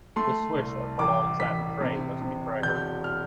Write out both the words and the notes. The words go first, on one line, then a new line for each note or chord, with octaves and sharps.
The swish of her long satin train must betray her.
A3 C6
C2
A1 D6
A1 B6
C3
C3
E1 G6
F6